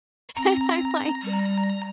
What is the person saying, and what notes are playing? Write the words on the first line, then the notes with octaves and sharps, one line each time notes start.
and I'm like,
C4 A#5
G3